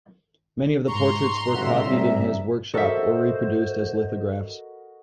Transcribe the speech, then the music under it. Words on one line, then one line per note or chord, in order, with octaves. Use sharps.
Many of the portraits were copied in his workshop or reproduced as lithographs.
G#2 A#5 C6 C#6
G1 A2 C#3 F#4 E5
C2 A#5
F#4 A4 A#4 C5 D#5 E5